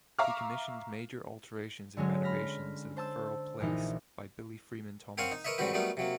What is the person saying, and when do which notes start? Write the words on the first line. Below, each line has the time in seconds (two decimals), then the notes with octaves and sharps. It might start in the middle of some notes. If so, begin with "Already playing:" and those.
He commissioned major alterations and renovations of Firle Place by Billy Freeman Thomas.
0.19 E5 F5 A#5 C#6 D6 F6
1.97 D3 F#3 G#3 C#4
2.23 B5 F6 A#6 B6
2.97 C5 A5 E6
3.60 A#1 A#2 E3 D#4
5.18 C4 A#4 C#5 F5 F#5 G#5
5.32 D#4
5.45 A#4 B4 C#5 D#5 E5
5.58 G#2 D#3 G3 C4 F#4 B4
5.73 F#3 G3 A3 B3 D#4 A#4
5.97 C3 F#3 A#3